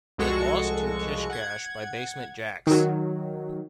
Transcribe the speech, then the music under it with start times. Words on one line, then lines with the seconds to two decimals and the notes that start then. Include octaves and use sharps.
It lost to "Kish Kash" by Basement Jaxx.
0.18 C2 F2 G#3 F#4 A4 C#6
1.30 F#5 G#6
2.67 D#3 F#3